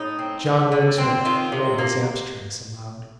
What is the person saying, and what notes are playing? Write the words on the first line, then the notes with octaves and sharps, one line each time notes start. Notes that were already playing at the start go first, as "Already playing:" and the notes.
John Rokesmith read his abstracts aloud.
Already playing: A2 D#4
C4
A3
D3
C4
D#3 F4
C3
A#3